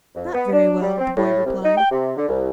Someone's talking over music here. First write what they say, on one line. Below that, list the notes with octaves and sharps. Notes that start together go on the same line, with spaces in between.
"Not very well," the boy replied.
F2
B3
D4
G3
C4
A2
C2
D#4
G5
C3
D3
C2